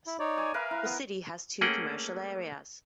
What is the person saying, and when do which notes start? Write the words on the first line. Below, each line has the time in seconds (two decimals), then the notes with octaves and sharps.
The city has two commercial areas.
0.07 E4
0.19 D#4 C#5 D5
0.37 G#5 D6
0.54 A#4 B4 E5 F5
0.71 E4
0.85 B3
1.61 A3 A#3 C#4 G#4 F#5 G5